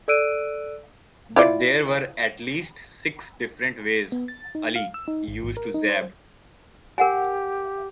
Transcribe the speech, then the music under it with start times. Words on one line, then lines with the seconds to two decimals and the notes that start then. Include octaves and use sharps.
But there were at least six different ways Ali used to jab.
0.08 A4 D5 E6 F#6 D7 D#7
1.36 E4 F4 D5
4.12 B3
4.28 A6
4.55 D#4
4.76 F5
4.94 E6
5.08 D#4
5.28 G#1
5.43 G#1
5.57 A#4
5.74 D#4
5.89 C5
6.98 G4 A#4 F#5 G#5